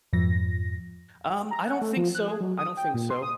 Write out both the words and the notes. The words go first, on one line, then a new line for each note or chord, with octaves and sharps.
um I don't think so, I don't think so.
F2 G#2 F3 A#6
A#5
F#5
A3
F3
F#6
G#4
F#3
D#6
G5
A#2
C6
D#6